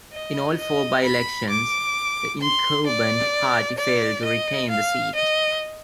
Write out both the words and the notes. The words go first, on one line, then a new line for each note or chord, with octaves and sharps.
In all four by-elections, the incumbent party failed to retain the seat.
D#5
D#5
B5
D6
C6
D5
D5
D#5
F5
D#5